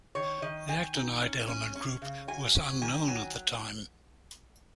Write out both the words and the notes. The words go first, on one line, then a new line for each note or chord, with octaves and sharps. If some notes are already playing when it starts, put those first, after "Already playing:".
The actinide element group was unknown at the time.
D#3 C#5
D#3 D#5
D#3 G#5
D#4
C#4
C#4
C#4
C#3
F#3 G#5
C#4
D#3 G#5
F#3 G#5